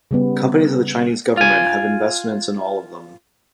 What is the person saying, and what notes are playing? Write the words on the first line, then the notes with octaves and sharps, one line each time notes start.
Companies of the Chinese government have investments in all of them.
C#3 G3 B3
F4 G#5